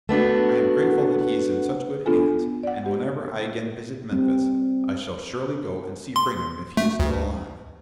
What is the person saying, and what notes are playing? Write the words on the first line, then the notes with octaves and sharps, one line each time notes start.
I am grateful that he is in such good hands, and whenever I again visit Memphis I shall surely go and see Brigham if he is still alive.
A3 B3 D4 F#4
B3 D4 F4 A4 G#5
D5 F#5
G4
G3 C4
C6
A3
D2